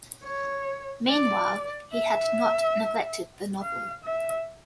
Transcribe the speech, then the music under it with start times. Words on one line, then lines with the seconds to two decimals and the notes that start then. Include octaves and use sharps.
Meanwhile, he had not neglected the novel.
0.24 C#5
1.09 D5
1.93 E5
3.62 F5
4.04 E5